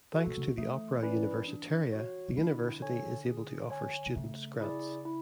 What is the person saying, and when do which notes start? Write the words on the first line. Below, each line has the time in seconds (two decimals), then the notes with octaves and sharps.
Thanks to the Opera Universitaria, the University is able to offer students grants.
0.12 F#4 A4
0.27 B2
0.37 C#3
0.47 D3
0.57 E3 A3
1.02 C#4 E4 B4 D5
1.48 D4
1.92 F#4 C#5
2.28 C#3
2.37 D3 E4
2.82 A4 C#5 G#5
3.26 G#4
3.71 C#5 G#5
4.06 B2
4.16 C#3 A3
4.61 E4 G#4 D5
5.05 E4